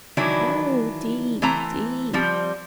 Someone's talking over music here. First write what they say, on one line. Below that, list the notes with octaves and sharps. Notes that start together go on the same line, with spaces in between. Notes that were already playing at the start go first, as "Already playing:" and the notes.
'Oh deep, deep!
D#3 E3 F#3 D4 E4
E3 A3 C4 A#5
F3 G3 C4